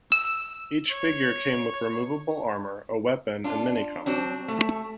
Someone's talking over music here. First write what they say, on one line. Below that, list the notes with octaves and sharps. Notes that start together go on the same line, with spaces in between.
Each figure came with removable armor, a weapon and mini-comic.
E6
C#5
D4 F4
F#3 C4 D4
A3